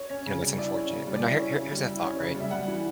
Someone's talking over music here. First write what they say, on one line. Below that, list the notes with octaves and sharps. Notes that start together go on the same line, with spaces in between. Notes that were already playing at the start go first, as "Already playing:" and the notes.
you know, that's unfortunate. But now here here here's a thought, right,
Already playing: C#5
C#4
C#3
G3
E4 D5
C#4
C#3
G3
D5
E4 E5
C#4
C#3
G3
E4
C#4
C#3
G3
E5
G3 F#5
E3